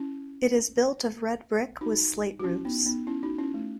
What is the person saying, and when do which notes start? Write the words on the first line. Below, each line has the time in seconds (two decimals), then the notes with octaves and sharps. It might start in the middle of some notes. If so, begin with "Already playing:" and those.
It is built of red brick with slate roofs.
Already playing: C#4 E4
1.81 D#4 F#4
2.40 F#4
2.44 C#4 E4
2.65 B3 D#4
2.86 B3 D#4
3.07 C#4 E4
3.23 D#4 F#4
3.38 C#4 E4
3.54 A3